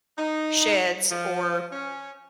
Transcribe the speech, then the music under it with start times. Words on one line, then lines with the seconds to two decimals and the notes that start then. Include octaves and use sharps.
sheds or
0.18 D#4
1.10 F3
1.72 C#4